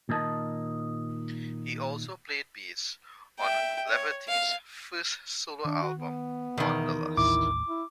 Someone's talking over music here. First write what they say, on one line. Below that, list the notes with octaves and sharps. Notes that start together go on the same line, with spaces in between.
He also played bass on Leverty's first solo album, "Wanderlust".
A#2 D#3 A#4 D#5 A5
E5 G5
C#5
F5
D#3 D4
F#4
B3
E2 B2 D#3
A1 D#2 A2 E4 D6
E4